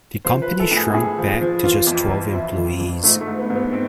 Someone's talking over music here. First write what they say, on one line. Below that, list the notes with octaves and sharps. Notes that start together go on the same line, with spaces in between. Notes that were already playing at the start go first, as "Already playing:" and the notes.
The company shrunk back to just twelve employees.
F3 C5
B4
F3
A4
A2
G#4
A2 G#4
F3
F3
E3 F4
F2
E3
F2 E4
F2
F2
G#2 A3
A3
G#2
B3
G#2
B3
C4